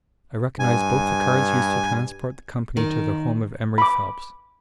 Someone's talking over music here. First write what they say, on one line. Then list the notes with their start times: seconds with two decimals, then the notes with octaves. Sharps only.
I recognized both the cars used to transport the company to the home of Emery Phelps.
0.59 G2 G#5
2.77 D#3
3.78 B5 D6